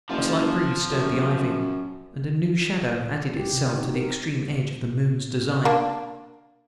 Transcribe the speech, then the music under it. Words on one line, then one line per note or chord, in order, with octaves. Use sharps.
A slight breeze stirred the ivy, and a new shadow added itself to the extreme edge of the moon's design.
F#1 F3
F#2
G4
C3
F#4
D#4
A#4
A#3 D4